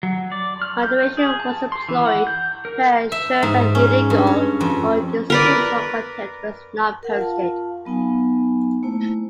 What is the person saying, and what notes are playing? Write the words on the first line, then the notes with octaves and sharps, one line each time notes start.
Moderation was employed to ensure that illegal or distasteful content was not posted.
F#3
D5
F6
G6
G#4
A5
C6
E3
F#5
G6
A#4
E5
G#2
C#4
G2
C#5
F2
A#4 B4 D5
A#4 F#5
F4 F5 A5
F#3 B3 D#4 G#5
A3 A#3 E4 C5